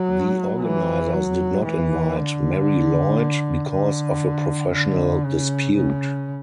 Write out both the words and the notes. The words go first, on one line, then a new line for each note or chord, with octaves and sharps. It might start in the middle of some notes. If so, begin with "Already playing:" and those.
The organisers did not invite Marie Lloyd, because of a professional dispute.
Already playing: F#3
E3
F#3
E3
D3
D3
D3
C#3
C#3